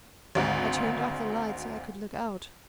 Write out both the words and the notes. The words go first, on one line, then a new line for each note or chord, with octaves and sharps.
I turned off the light so I could look out.
G#1 D2 G#2